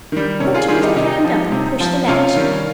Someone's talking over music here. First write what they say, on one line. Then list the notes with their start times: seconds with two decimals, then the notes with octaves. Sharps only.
Put your little hand up and push the latch.
0.12 D#3 G3
0.40 C3 C#4
0.54 F4 G#4
0.68 D#3 G3 F4 G#4
0.82 D#4 G4
0.96 C3 D#4 G4
1.24 F3
1.52 C3
1.80 F3
2.08 C3 C#4 F4
2.36 D#3 G3